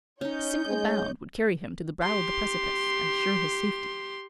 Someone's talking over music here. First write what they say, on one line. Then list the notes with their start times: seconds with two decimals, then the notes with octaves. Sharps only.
A single bound would carry him to the brow of the precipice, and assure his safety.
0.21 C#4 D#4 C#5 D#5 G6
0.68 G#3
2.02 G4 C6